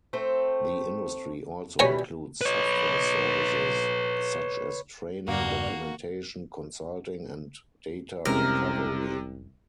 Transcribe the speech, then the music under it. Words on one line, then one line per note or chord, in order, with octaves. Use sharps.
The industry also includes software services, such as training, documentation, consulting and data recovery.
A3 C4 C5
B2 E3 G3 C#5 G#5 A#5
B4 C#5
E2 G2 C#3 A#3 F#4 D5
F1 C2 C3 G#3 C#4 A#4